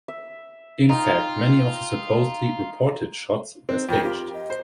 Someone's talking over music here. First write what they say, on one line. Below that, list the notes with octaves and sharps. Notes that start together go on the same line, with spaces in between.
In fact, many of the supposedly 'reportage' shots were staged.
E5
D#4 F4 G5
C4 D#4
F2 A#4 G5
F4 G4
D#5
C5